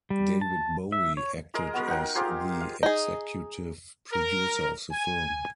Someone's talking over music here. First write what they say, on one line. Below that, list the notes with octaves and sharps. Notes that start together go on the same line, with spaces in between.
David Bowie acted as the executive producer of the film.
G3
A5
E5
C#5
G#3 G#4 A#4 D#6
B3 F#4 A#4
D#4 A#4 F#5 G5
F4 G4 G#4 C5
F5
D#4 G#4
A#4
G#5